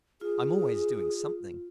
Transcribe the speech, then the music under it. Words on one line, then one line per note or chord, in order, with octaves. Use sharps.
I'm always doing something.
F4 G#4